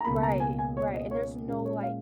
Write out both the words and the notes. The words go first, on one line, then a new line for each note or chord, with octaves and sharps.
Right, right, and there's no like
A#5
C#2 B2 A#3 B5
A#5
G#5
G#5
C#5
D#5
C#5
A#2 G#3 C#4
C#5
F5